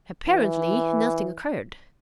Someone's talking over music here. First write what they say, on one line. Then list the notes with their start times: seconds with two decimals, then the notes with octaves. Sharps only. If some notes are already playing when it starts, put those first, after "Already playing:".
Apparently nothing occurred.
0.27 E3